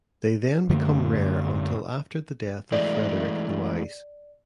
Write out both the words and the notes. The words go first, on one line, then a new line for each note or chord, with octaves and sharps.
They then become rare until after the death of Frederick the Wise.
F#2 D3 A3 A#3
E3 G#3 A3 D5